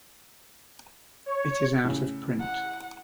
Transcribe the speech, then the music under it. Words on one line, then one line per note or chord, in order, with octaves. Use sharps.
It is out of print.
C#5
A2 C#3
F#5